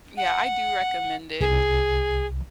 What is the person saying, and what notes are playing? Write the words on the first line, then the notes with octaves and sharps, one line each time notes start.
Yeah, I do recommend it,
F#5
C2 G#4